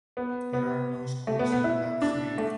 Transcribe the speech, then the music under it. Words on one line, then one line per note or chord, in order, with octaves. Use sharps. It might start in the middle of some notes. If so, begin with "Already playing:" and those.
There are no schools in Black Snake.
B3
B3
A3
B3
B3
E4
D4
A3